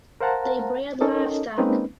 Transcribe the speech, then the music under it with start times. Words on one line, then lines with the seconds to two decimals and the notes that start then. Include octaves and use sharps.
They bred livestock.
0.21 A#4 C5 F5 F#5 A5 A#5
1.01 C#4 D#4 A4 A#4 D#5
1.58 G#3 A#3 C4 C#4 D#4 B4